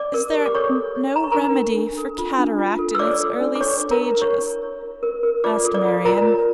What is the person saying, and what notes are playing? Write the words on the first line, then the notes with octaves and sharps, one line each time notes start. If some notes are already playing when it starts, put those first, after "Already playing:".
'Is there no remedy for cataract in its early stages?' asked Marian.
Already playing: D5 D6
A#4
G4
D6
A4 C#5 C#6
A4
C#5
C#5 A#5
C#6
D4 A#4 A#5
A4
D4
A4
F4
D4
F4
A4
E6
C#5 D5 D6
A4
D4
D6
A4 C#5 C#6
D4
A#4 A#5
D4
G4 C#5 C#6
E4
C#5
A#4
A#4
A#4
F4 D5 D6
A4
D5 D6
F4
F4 A#4 A#5
C#5